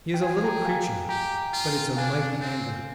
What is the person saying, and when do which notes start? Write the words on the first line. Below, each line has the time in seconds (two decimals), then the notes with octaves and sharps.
He is a little creature, but it's a mighty anger.
0.14 G5
0.21 G#4 F5 G#5
0.44 G5 A#5
0.65 F5 G#5
1.09 G4 G5 A#5
1.53 F4
1.97 D4 F5 G#5
2.41 C4